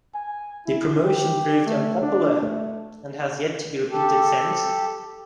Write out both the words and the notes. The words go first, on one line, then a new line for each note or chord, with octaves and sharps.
The promotion proved unpopular, and has yet to be repeated since.
G#5
E4
G4
A3
D4
A3
G4 A4